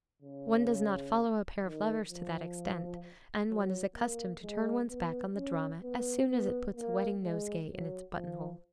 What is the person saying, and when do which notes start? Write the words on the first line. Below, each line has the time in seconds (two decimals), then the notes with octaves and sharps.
One does not follow a pair of lovers to that extent, and one is accustomed to turn one's back on the drama as soon as it puts a wedding nosegay in its buttonhole.
0.23 C#3
1.63 D#3
2.09 F3
3.50 F#3
3.96 A#3
4.43 G#3
4.90 B3
5.36 C#4
5.83 B3
6.30 B3
6.76 A#3
7.23 G#3
7.70 F#3
8.17 F3